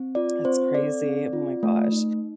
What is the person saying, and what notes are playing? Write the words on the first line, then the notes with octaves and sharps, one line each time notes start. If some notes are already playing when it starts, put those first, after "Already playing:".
It's crazy. Oh my gosh.
Already playing: C4
F4 D5
C4 C5
A4 D5
C4
F4
A3
D#4